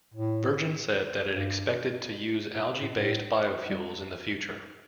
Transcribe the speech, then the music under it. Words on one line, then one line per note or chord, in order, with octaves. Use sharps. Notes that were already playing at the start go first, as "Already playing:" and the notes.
Virgin said that it expected to use algae-based biofuels in the future.
A2
G2
A2
A2
A2
G3